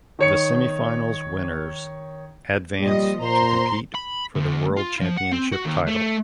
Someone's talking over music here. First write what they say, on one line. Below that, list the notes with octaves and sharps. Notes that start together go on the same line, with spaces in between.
The semifinals winners advance to compete for the World Championship title.
D#3 C#5 C#7
A#2 F3 G3 D#5
A#2 C5 A#5 C6
B5
D2
F4
F3
F#5
C4
F#4
D#2
A3